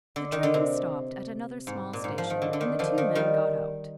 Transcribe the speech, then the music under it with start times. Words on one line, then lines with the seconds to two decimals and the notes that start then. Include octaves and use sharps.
The train stopped at another small station, and the two men got out.
0.16 D3
0.32 D#3
0.43 D3
0.54 C3
1.67 G#2
1.93 A#2
2.04 G#2
2.18 F3
2.30 D#3
2.42 D3
2.53 D3
2.61 D#3
2.79 D3 F3
2.98 D#3
3.15 D#3 G3